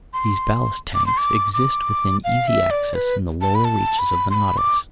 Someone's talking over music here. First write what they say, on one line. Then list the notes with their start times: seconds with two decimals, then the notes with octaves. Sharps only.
These ballast tanks exist within easy access in the lower reaches of the Nautilus.
0.13 C6
0.95 D6
1.06 C6
1.18 D6
1.54 D6
2.24 F5
2.47 E5
2.71 D5
2.94 B4
3.41 A5
3.55 B5
3.65 A5
3.99 B5
4.30 C6
4.34 B5
4.58 D6